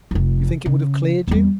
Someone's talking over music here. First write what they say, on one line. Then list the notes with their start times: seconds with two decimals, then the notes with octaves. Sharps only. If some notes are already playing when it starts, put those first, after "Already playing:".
You think it would have cleared you.
0.11 F1 F2
0.66 C#3
1.28 E2 G3